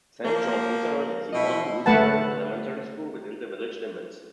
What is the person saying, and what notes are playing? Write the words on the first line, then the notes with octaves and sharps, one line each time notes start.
Saint John's Lutheran is the one Lutheran elementary school within the village limits.
F3 A#3
B2 E4 D#5
A3 B4 F#5 A5